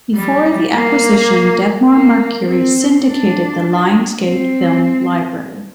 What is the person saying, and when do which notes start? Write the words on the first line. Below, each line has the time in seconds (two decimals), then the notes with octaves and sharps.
Before the acquisition, Debmar-Mercury syndicated the Lionsgate film library.
0.15 G3
0.73 A#3
1.90 A#3
2.48 C4
3.06 D4
4.23 C4